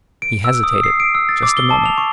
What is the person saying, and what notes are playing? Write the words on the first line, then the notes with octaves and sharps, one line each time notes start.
He hesitated just a moment.
D7
E6
D#6
C7
D7
E6
A6
D6
G7
A5
F7
C#6